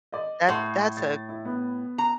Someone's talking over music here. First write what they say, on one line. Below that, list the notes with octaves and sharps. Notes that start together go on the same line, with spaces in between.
that that's a
D5 D#5
A2 F#5 A5 C6
A6
E4
B3
A#5